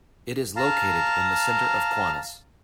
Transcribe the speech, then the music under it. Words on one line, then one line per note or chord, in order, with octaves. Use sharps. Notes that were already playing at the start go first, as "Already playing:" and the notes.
It is located in the center of Kaunas.
F5 A5 A#5